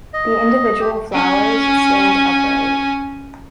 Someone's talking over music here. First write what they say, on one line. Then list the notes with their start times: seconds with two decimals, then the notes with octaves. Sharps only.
The individual flowers stand upright.
0.14 D#5
0.80 G4
1.14 C#4 G#5